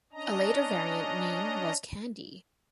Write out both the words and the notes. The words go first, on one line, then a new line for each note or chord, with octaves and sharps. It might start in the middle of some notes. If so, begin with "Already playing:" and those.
A later variant name was "Candy".
C#4 D4 D#5 A#5